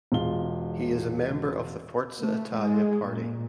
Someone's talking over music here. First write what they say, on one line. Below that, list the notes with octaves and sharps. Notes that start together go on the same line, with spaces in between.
He is member of the Forza Italia party.
E1 G#3 F4 G7
A3
G#3
A#2